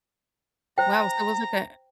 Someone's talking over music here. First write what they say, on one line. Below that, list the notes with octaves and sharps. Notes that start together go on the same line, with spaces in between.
Wow, so it was like a
C5 G5 A#5